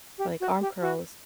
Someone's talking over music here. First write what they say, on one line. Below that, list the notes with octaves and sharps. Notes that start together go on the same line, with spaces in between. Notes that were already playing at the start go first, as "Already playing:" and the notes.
like arm curls,
G4
F#4
G4
F#4